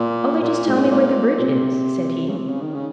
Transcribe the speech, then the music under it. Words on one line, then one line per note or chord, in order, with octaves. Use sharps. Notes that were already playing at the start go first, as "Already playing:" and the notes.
"Only just tell me where the bridge is," said he.
Already playing: A#2
A#2
G#2
A#2
C3
C#3
C3
C#3
D#3
C#3